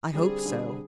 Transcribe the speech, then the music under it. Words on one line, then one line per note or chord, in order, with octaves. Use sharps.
"I hope so."
D3 G3 C4 G#4
D3 G3 C4